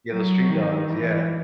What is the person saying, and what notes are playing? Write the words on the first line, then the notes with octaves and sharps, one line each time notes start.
Yeah, those street dogs, yeah.
F#3
D#3
E3